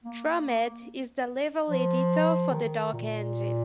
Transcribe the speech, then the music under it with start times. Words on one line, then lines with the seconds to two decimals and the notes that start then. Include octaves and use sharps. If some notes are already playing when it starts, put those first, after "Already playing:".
DromEd is the level editor for the Dark Engine.
0.04 A#3
1.70 F3
2.52 D#3
2.93 A#2